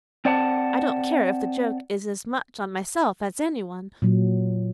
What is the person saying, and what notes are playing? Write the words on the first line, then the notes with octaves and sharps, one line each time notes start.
I don't care if the joke is as much on myself as any one.
C4 D5 F#5 A5
A#2 F#3